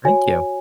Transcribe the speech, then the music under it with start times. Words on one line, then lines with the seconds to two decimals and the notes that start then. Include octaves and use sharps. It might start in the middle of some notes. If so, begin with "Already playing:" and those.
Thank you.
0.05 F#4 C#5 G#5